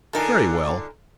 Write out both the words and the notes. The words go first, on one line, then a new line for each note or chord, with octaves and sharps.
"Very well."
D3 D#4 F4 A4 A#4 G#5